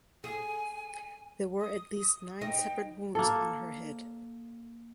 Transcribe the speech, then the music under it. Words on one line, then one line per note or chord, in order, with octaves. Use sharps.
There were at least nine separate wounds on her head.
G#4 G#5
D#6
D#4 G5
A#3 A4